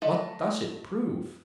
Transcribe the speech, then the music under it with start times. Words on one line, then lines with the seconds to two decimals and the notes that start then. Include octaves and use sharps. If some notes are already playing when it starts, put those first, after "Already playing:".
"What does it prove?"
0.02 A3 F4 A4 B4 D#5